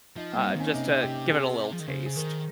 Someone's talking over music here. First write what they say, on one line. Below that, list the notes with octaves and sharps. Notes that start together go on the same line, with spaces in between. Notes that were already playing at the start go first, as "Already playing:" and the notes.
uh, just to give it a little taste.
F3 D#4
G3 A#3
C4
D#3
C#4
C3 D#4
G4
C3 G#4
F3
D#3
C#3 C5
G#4
D#3 A#4